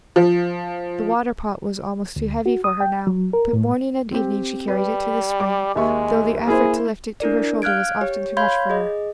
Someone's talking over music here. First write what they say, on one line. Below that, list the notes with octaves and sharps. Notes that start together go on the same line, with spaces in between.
The water-pot was almost too heavy for her now, but morning and evening she carried it to the spring, though the effort to lift it to her shoulder was often too much for her.
F3
D2
F#4
D#6
G5
F#3
A#4
A2
C4 G4
G3 B4
D6
D#2 G#3 E5 C#6
A#3 E4 G#4 C5
D4 E4 A#4 D5
F5 F6 F#6 G#6 D7
G4 C#5
C#5 F5 B5 C6 G6 G#6
G#4 D#5